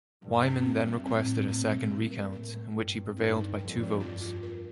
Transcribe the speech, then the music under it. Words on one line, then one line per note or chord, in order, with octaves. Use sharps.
Wyman then requested a second recount, in which he prevailed by two votes.
G2 G3
C4
G2 C4
G3
A2 C4
C4
A#2 C4
G3
A#2 G3
A#4
A2 A#4
G3
G2 A#4
C4
G2 D#4
D#4
F2 A#4
F3
G2 F4
F4
A#4